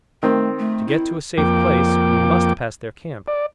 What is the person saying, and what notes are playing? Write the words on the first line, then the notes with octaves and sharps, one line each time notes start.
To get to a safe place we must pass their camp.
D#3 A3 C4
A3
E4
F2 A#3 G5 D6
D5